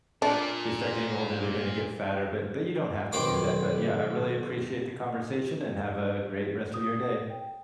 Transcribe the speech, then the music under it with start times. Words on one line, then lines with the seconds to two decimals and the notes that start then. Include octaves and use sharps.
they start getting older, they're gonna get fatter, but but you don't have to do that, but yeah, I really appreciate the conversation, and have a great rest of your day.
0.22 A#2 D4
3.12 B1 D#3 C4 C5 D6
6.74 D#6
7.30 G5